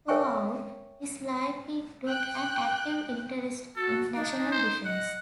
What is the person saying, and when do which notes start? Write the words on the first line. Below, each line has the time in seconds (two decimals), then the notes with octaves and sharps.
Throughout his life he took an active interest in national defence.
0.08 A#4 C#5 E5 G5 G#5 C#6
2.07 G5 F#6
3.76 F#4 A4
4.15 D4 D#4
4.51 C5
4.85 D#5 F#5